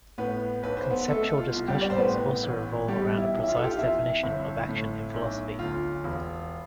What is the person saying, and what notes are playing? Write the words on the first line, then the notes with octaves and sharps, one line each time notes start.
Conceptual discussions also revolve around a precise definition of action in philosophy.
A2 B3 B4
B1 B4
C5
B3 B4
B2 A3 A4
F4
C2
G3 G4
D5
C5
A2 B3 B4
A1
B2 G3 G4
E4
B1
E4
F4
A4
G4
F4
F2 E4
G1
A2
B1
D2 F4
E1